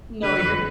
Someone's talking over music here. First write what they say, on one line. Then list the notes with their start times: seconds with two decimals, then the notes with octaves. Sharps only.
No. You're
0.23 D3 B4
0.42 F2